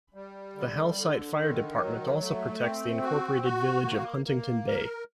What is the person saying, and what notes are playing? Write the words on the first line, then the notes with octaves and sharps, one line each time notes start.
The Halesite Fire Department also protects the incorporated village of Huntington Bay.
G3
D3
D3
D#3
F#3
A3
C4
F#4
F#4
A#3
A#3
A#4